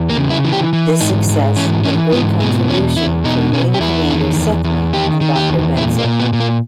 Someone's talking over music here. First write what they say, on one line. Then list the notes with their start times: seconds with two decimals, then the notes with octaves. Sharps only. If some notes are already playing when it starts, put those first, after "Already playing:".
This success had great contribution from Wing Commander Sethna and Doctor Bensal.
Already playing: E2
0.10 A#3
0.17 C#3
0.30 E4
0.45 E3
0.52 G4
0.73 E3
1.01 G#2 D#4
1.29 G#2
1.57 E3 C#4
1.84 E3 C#4
2.12 G#2 B3
2.40 B2 G#3
2.68 E2 C#4
2.96 E2 E4
3.24 B2 D#4
3.53 B2 C#4
3.74 G4
3.80 E2 E4
4.10 D#3
4.36 E2
4.64 E2
4.93 D#3 G4
5.21 D#3
5.35 G4
5.50 E2
5.77 A#2 E4
5.98 A#3
6.04 A#2
6.20 B3
6.33 A#2
6.40 A#3